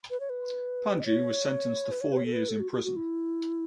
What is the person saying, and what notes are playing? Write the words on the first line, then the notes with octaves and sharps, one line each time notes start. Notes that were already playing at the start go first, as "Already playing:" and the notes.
Panju was sentenced to four years in prison.
B4
C#5
B4
D#5
C#5
B4
C#5
B4
C#5
A4
B4
A4
F#4
F#4
F#4
E4